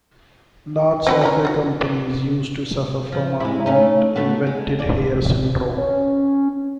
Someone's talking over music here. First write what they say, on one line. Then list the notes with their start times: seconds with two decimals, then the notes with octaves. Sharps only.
Large software companies used to suffer from a not invented here syndrome.
1.07 C4 F#4 B4
1.21 E3 C#4 A#4
1.45 F4 F#4
3.12 F3
3.40 G#3 E4
3.66 A3 C#4 D#4
4.16 A3 B3 F#4
4.47 G#3
4.79 D#2 D5
5.78 C#4